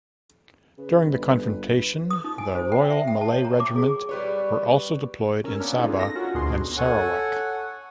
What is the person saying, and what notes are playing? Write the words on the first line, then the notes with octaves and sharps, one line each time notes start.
During the confrontation, the Royal Malay Regiment were also deployed in Sabah and Sarawak.
C#3 B4
G1
D#6
D#4
G#5
C5
G5
E5
G5
A5
C#5
A#5
D6
G#4
G3 B4 C#5
C#4 A#4 E6
A#3 B3 C#4 D4 A#4
C#4 D#4 F4 G#4 A4
A#6
C#4 F4 F#4 A#4
D2 B2 D4 D#4 G#4 C6
A4 C#5 F#5 G#5